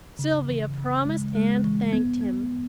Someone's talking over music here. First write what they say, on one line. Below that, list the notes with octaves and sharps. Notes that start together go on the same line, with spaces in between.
Sylvia promised and thanked him.
C#3
E3
C#3
G#3
G#3
E3
B3
B3